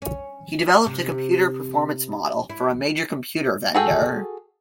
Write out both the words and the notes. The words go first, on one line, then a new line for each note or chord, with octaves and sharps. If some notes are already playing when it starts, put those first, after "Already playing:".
He developed a computer performance model for a major computer vendor.
C#4
C3
E4
F#4 G#4 A4 G5